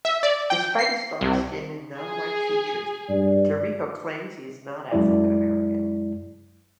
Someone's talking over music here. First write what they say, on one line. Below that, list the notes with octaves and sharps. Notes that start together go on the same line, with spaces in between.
Despite his dark skin and non-white features, Tirico claims he is not African American.
E5
D5
G5
C7
C2
G#4
G2 D5
F#2 G#3 E4 D5